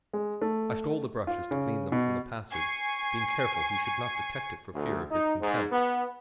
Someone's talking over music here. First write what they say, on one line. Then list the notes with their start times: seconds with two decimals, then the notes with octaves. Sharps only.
I stole the brushes to clean them from the passage, being careful he should not detect it, for fear of his contempt.
0.13 G#3
0.42 A3
1.27 F4
1.51 C#3
1.92 B2
2.52 G#5 C#6 C7
4.74 D2
5.10 D#4
5.40 G#2
5.72 B3